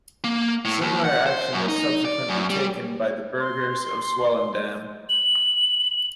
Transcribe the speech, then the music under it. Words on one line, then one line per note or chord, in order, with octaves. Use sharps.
Similar action was subsequently taken by the burghers of Swellendam.
A#3
A2
D#2
F#5
C5
F#2
D#4
D5
F#2
G3
C6
F#7